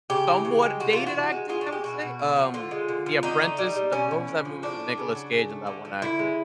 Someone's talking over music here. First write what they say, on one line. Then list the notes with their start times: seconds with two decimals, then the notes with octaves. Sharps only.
somewhat dated acting I would say, um, The Apprentice the what was that movie with Nicolas Cage and that one actor?
0.10 C#3 G4
0.27 E3
0.45 C#3
0.62 G#3
0.80 C3 F#4
0.93 E3 F4
1.07 F#4
1.15 C3
1.32 G#3
1.49 G#3 F4
1.61 F#4
1.66 G#3
1.73 G4
1.84 B2 F#4
2.02 B2
2.19 D3
2.36 F3
2.54 D3 F4
2.71 G#3
2.89 D3
3.06 F3
3.23 D3 D#4
3.41 A3
3.58 G3
3.76 G3
3.92 B2 C#4
4.11 B2
4.28 A2
4.45 F3
4.63 A2 D4
4.80 A3
4.98 C#3
5.15 F#3
5.32 C#3
5.50 A3
5.67 D3
5.85 F3
6.02 D3 E4
6.19 G#3